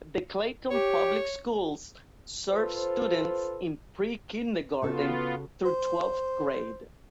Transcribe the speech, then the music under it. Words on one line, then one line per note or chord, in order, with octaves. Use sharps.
The Clayton Public Schools serve students in pre-kindergarten through twelfth grade.
G4 C#5
F4 A4 B4 C5
C#3 B3 F4 F#4 A4
C5